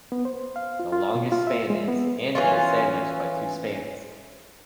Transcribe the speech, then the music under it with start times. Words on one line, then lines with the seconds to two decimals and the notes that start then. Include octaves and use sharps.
The longest span is and is sandwiched by two spans.
0.12 B3
0.25 C5
0.56 F5
0.80 F4
0.92 F4
1.15 B2
1.32 F4
1.47 E5
1.70 G#3
1.88 B3
2.35 E3 C#4 F4